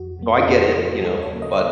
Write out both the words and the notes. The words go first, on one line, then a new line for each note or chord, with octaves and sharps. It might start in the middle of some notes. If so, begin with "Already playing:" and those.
so I get it, you know, but,
Already playing: F2 F#4
C3 F#3 A#3
F4
F2 F#4
C3 F3
D#2 A4
C#5
C#3 F#3 A#3
D#5
C5